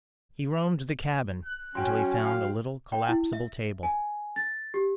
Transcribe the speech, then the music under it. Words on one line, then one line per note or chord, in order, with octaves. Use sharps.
He roamed the cabin until he found a little collapsible table.
F#6
F#3 C#4 F#4 G5 C6
F5
G5
E4
E5
G#5
A6
G4